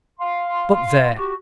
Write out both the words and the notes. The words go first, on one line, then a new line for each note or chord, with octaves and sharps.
But there!
F5 C6
F#4 G4